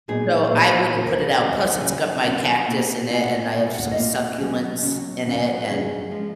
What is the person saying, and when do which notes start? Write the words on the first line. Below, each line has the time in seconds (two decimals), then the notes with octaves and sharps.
so, I wouldn't put it out, plus it's got my cactus in it, and I have some succulents in it and
0.08 A#2 F#3 B3 D#4 G#4
0.51 A#2 F#3 B3 D#4
0.94 D#2 C#3 F#3 C#4 A#4
1.29 C#5
1.38 D#2 C#3 F#3 C#4 D#5
1.59 F#5
1.80 D#2 C#3 F#3 C#4 G#5
2.23 D#2 C#3 F#3 C#4 F#5
2.67 B2 A#3 F4
3.09 B2 A#3 F4 G#5
3.22 F#5
3.35 G#5
3.53 B2 A#3 F4 G#5
3.74 F#5
3.91 D#5
3.96 B2 A#3 F4 F5
4.38 D#2 C#3 F#3 C#4
4.82 D#2 C#3 F#3 C#4
5.25 D#2 C#3 F#3 C#4 F#5
5.35 G#5
5.46 F#5
5.58 B4
5.68 D#2 C#3 F#3 C#4 G#4
6.11 F3 G#3